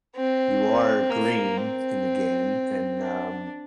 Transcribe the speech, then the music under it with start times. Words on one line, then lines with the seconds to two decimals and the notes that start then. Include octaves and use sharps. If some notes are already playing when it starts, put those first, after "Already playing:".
you are green in the game and, um,
0.16 C4
1.10 A#3
1.58 C4
2.99 D4